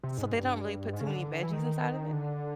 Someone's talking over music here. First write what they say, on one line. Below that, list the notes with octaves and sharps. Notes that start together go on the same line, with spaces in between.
So, they don't really put too many veggies inside of it?
C3
G#2
G2
G#2
C#3
D3
E3
D#3
D3